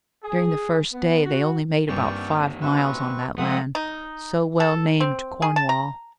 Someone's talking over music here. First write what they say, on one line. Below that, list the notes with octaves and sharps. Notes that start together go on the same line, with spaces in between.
During the first day they only made about five miles on that land, so well named Cornwall.
G#4
B3
F#4
G2 A#2 D#3 C4 D5 G5 C#6
C4 F#4 B4 E5 C#6
F3 G#3 A3 C4 F4 F#5 D#6
D#4
A4
C4
G#4
A5
A#5